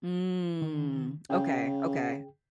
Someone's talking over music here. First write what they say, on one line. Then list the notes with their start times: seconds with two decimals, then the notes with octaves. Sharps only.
Mm. Okay, okay,
0.62 D#3
1.30 C#3 G#4 G5